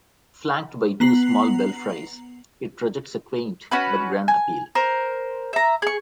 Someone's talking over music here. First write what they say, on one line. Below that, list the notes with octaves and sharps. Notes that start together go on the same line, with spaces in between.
Flanked by two small belfries, it projects a quaint but grand appeal.
B3 A#5 C7 F#7
C#4 F#4 B4
G#5
A#4 C5
E5 A#5
G#4 C#6